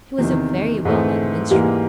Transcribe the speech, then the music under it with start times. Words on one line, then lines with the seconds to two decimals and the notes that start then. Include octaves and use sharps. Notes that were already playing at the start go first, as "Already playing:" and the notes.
He was a very well known minstrel.
0.18 E2 C3 D#3
0.85 G#2 E3 A3 C4
1.51 G#2 E3 G3 A#3